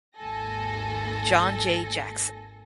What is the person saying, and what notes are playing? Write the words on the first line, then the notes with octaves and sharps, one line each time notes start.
John Jay Jackson.
G#1 D#2 A4 G#5 A#6